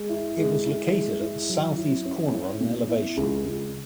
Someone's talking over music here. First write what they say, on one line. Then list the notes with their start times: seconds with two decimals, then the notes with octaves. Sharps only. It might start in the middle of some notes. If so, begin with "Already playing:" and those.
It was located at the southeast corner on an elevation.
Already playing: G#3
0.09 E4
0.37 G#3
0.66 E4
0.93 G#3
1.21 E4
1.50 F#3
1.77 E4
2.05 C#4
2.33 E4
2.60 B2
2.89 E4
3.17 C#2
3.45 C#2